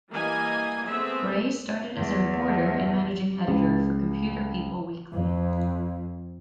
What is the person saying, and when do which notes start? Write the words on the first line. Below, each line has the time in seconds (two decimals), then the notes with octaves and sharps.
Bray started as a reporter and managing editor for "Computerpeople Weekly".
0.10 E3 G3 A#3 D#5 G#5
0.87 A3 B3 C4 G#4 E5
1.97 E2
3.48 C#2
5.13 F2